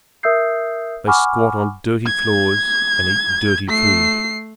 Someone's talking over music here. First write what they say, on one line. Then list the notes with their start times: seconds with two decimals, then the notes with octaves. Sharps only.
They squat on dirty floors and eat dirty food.
0.23 A#4 E5 D#6 E6 G6 C7
1.07 F#5 G#5 B5 C#6 D6 F6
2.06 G#6
3.68 A3 C7